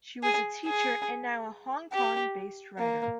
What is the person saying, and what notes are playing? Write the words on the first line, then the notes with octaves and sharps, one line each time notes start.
She was a teacher and now a Hong Kong-based writer.
G#4
G#4
G4
A#3